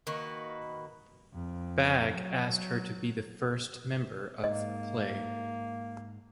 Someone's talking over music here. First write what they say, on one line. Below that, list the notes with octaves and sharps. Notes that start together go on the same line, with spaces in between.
Bagge asked her to be the first member of Play.
D#3 A#3 F#4 B4
F2
F#3
G#2 A#3 D#5